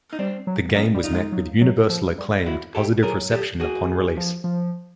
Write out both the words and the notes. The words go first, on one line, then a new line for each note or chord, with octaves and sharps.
The game was met with universal acclaim to positive reception upon release.
D#4
G3 C4 D4
F#3
F#3 B3 C#4
G3
D#4 F4
G#3
F#3
F#3
F3
G3
E4 F#4
G4 A4
F#3 G#4 A#4
G4 A4
F#4 G#4
F3
F3